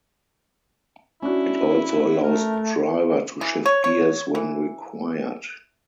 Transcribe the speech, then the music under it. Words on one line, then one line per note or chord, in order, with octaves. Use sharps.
It also allows driver to shift gears when required.
C#4 D4 E4 F#4
A3 A#4
E3
C#5
C#5
E3